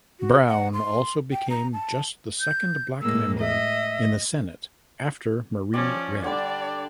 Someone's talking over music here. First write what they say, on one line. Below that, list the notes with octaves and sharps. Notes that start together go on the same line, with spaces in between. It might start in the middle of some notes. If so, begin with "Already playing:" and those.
Brown also became just the second Black member in the Senate after Marie Redd.
F#4
F#5
C6
G5
A#5
A5
G6
A2 G#3 A#3 E6
D#5 E5
F3 C#4 D5 G#5 B5
D3 G3 D4 D5